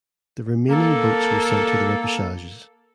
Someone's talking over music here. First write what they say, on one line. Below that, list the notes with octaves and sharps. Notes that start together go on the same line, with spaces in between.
The remaining boats were sent to the repechages.
A#3 A4